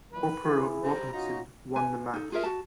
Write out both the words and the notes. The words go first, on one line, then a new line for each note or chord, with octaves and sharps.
Corporal Robinson won the match.
A#2 E3 F#3 B4
E4 G#4
G3 C5 A#5
C#4 D#4 F4 F#4 A#5
B4 G#5
D#4 A4
F4 G#4 A#4 E5
F#4 A5